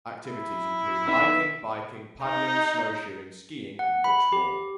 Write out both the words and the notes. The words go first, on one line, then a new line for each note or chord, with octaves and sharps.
Activities include hiking, biking, paddling, snowshoeing, skiing and much more.
E4
B3 D#4 B4 E5
D#4
F#5
B5
G4